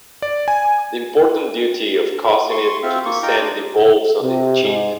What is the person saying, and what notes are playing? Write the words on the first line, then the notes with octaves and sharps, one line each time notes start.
The important duty of causing it to descend devolves on the chief.
D5
G#5
C6 C#6
C4 F4 E5
A#3 C#6
D#4 F4 G5 A#5
D4
C3
G#2